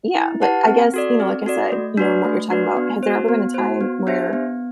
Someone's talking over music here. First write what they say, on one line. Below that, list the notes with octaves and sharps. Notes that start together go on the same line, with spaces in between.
Yeah, but I guess, you know, like I said, you know, and what you're talking about, has there ever been a time where
E4
G4 B4 F#5 A5
C4
F#4 A4 D5
C4
F#4 A4 D5
A3
D4 F#4 B4 D5
A3
D4 F#4 B4 D5
B3
F#4 C5
B3
F#4 C5
B3
D4 G4 C5 E5
B3